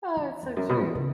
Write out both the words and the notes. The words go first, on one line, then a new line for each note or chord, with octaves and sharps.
Oh, it's so true.
E3
E2
F#2
B2
E2
C#3